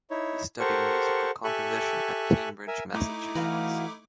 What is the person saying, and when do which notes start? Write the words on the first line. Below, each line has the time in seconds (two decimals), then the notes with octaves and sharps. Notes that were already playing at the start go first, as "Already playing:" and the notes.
He studied musical composition at Cambridge, Massachusetts.
0.11 D#4 E4 C#5
0.60 G4 A4 A#4 C5 F#5 C#6
1.44 G4 A4 E5 G#5 C#6 F#6
2.68 A#4 E5 G#5
2.94 A3 D#4 E4 D6
3.35 E3 F#4 B4 F5